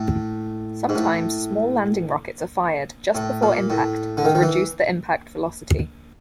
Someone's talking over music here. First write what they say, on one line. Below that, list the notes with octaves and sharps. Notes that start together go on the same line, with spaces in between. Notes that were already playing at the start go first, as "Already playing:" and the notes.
Sometimes small landing rockets are fired just before impact to reduce the impact velocity.
Already playing: A2
G#2
A2
A2
A#2
A2
D3
D#3
D#3
E3